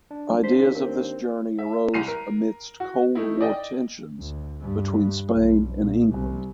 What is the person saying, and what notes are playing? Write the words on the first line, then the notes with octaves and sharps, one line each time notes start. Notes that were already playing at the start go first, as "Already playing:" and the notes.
Ideas of this journey arose amidst cold war tensions between Spain and England.
D4
D#2 C5 B6
C4 A#4
E5
C2 C7 D#7
A#4
F#4
A3 D#4 E4
D5 D#5 G5
D2
G2
B1
A#2
C2